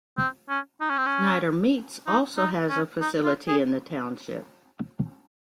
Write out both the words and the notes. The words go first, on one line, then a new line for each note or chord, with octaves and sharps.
Schneider Meats also has a facility in the Township.
C4
C#4
D#4
C#4
C4
C#4
D#4
D#4
C#4
D#4
F4
G#4